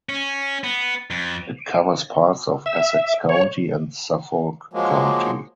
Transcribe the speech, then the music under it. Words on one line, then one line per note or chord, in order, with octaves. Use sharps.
It covers parts of Essex County and Suffolk County.
C#4
B3
F2
E5
C#5
F3 F#3 G#3 A#3